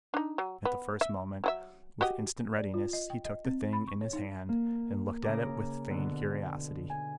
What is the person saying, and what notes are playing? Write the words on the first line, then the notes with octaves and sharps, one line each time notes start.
At the first moment, with instant readiness, he took the thing in his hand, and looked at it with feigned curiosity.
D4 D#4
F#3
B3
E5
F#3 G#4 E5
F#4 G4 D#5
D5
F4
D#5
G5
D#5
C4
B5
C#6
C#5
D#4
A#3
C#3 A#5 D6
B2 D3
G#5